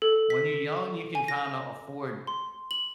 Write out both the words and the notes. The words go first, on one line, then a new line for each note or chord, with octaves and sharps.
When you're young, you can kinda afford
A4
B6
G#5
A#6
C6
F#7